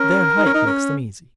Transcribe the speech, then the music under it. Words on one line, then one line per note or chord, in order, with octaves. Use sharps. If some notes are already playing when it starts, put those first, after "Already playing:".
Their height makes them easy.
Already playing: C#4 A#4
D#4
C#4
D#4
C#4